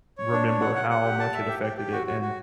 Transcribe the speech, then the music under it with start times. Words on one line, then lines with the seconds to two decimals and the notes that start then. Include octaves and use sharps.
remember how much it affected it and,
0.18 C#5
0.32 D4
0.47 C#5
0.61 F#5
0.75 F#5
0.90 F#5
1.05 G4
1.19 A5
1.34 E5
1.48 G4
1.62 G4
1.77 G4
1.92 F#4
2.07 F#4
2.21 F#4